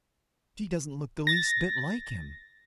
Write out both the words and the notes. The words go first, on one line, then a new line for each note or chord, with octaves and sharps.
"She doesn't look the least bit like him."
A6 A#6